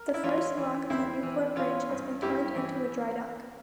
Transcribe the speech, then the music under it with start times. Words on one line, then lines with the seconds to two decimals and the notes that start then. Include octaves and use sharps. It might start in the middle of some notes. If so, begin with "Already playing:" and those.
The first lock on the Newport Branch has been turned into a dry-dock.
Already playing: A#4
0.14 E4
0.23 E3 C#4 F4
0.57 E3
0.90 E2 C4 E4
1.23 E3
1.56 E3 C#4 F4
1.89 G2
2.22 G2 E4 G4
2.56 E3